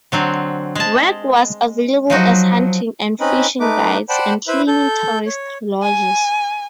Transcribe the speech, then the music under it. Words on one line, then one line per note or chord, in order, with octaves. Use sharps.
Work was available as hunting and fishing guides and cleaning tourist lodges.
D3 F#3 C4
G#3 A5
F3 F#3 D#4 F#4
C4 C#4 D#4 B4 D#5 B5
A3 D#4 B4 D6
C5 D5 F#5 G5 A5 B5
E4 B4 C5 E5 B5
A4 G6
C#5
G#5